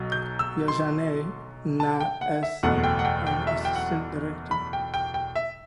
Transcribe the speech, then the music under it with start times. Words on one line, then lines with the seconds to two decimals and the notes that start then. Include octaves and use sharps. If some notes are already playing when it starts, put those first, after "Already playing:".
Ya Jaane Na as an assistant director.
Already playing: B1 B2 F#3
0.12 G6
0.39 E6
0.68 C6
1.80 A5
2.01 G5
2.21 F#5
2.43 E5
2.63 F#1 E2 B2 A3 F#5
2.84 G5
2.99 F#5
3.05 G5
3.27 G5
3.47 E5
3.65 G5
3.75 F#5
4.51 B5
4.73 G5
4.94 G5
5.14 G5
5.35 E5